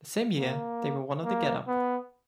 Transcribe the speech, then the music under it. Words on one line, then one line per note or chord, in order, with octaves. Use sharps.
The same year, they were one of the Getup.
A#3
A#3
B3